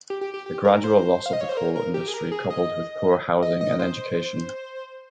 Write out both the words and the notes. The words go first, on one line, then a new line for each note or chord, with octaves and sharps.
The gradual loss of the coal industry coupled with poor housing and education.
G4
G4
G4
G4
A#4
C5
F5
D#5
C#5
C5
A#4
A#4
G4
G#4
A#4
G#4
D#5
D#5
D#5
C5